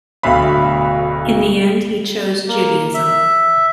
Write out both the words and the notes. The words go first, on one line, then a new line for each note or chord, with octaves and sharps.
In the end, he chose Judaism.
D1 D2 B2 E5 F5 B5
A#3
E5